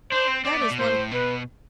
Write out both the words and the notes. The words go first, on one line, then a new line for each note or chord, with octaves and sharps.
That is one point.
D4 C5
C4
C4 D5
B3
A3
B2
A2 C5
B2 B4